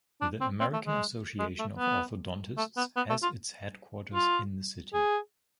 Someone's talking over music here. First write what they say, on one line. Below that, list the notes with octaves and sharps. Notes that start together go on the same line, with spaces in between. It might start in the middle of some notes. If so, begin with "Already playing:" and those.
The American Association of Orthodontists has its headquarters in the city.
D4
C4
C4
A3
G#3
G#3
A3
B3
A3
B3
B3
A3
F4
F4
G#4